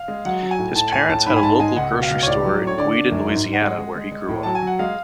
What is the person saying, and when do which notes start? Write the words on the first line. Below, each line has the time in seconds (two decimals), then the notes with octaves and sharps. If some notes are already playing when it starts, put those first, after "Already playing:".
His parents had a local grocery store in Gueydan, Louisiana, where he grew up.
Already playing: F5
0.08 G#3
0.25 F#3 F#5
0.42 F#3
0.51 G#5
0.59 A2
0.76 A2 A5
0.92 A2 G#5
1.09 A2 A5
1.26 G#2 B5
1.36 G#5
1.43 G#2 A5
1.60 G#3 G#5
1.76 C#2 F#5
1.93 B2
2.02 F5
2.11 C#2
2.23 C#5
2.27 A2 D5
2.43 F#3
2.61 A2
2.67 C#5
2.77 D3 D5
2.94 D3
3.11 F#2
3.28 G#2
3.45 G#2
3.53 F#5
3.62 G#3
3.78 G#3
3.95 G#3
4.12 G#3
4.28 A2
4.43 F#3 A5
4.55 G#5
4.62 F#3
4.67 F#5
4.79 G#3 F5